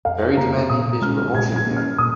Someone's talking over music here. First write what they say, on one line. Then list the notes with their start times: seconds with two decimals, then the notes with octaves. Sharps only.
Very demanding bit of emoting there.
0.05 F2 F5
0.37 C#3 A#3 A#5
0.70 A#2 D#6
1.02 G#3 C#4 F6
1.34 A#2 G#6
1.56 G#6
1.66 A#3 C#4
1.76 F6
1.98 A#2 D#6